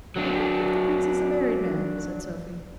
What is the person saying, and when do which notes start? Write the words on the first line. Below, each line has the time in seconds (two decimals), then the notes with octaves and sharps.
"I don't think the prince is a married man," said Sophy.
0.16 F#3 D4